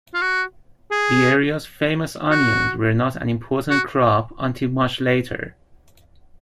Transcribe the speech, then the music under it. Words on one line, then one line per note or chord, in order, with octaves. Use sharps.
The area's famous onions were not an important crop until much later.
F4
F#4
G#4
F#4
F#4